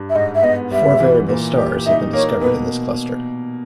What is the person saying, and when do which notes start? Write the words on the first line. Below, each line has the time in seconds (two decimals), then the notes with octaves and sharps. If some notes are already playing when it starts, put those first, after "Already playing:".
Four variable stars have been discovered in this cluster.
Already playing: G2
0.09 E5
0.15 G#2 D#5
0.34 E5
0.43 B3 D#5
0.71 G3 E5
1.00 E3
1.29 A#2
1.57 G4
1.86 D#4 E5
2.13 A#3 C#5
2.41 B2 B4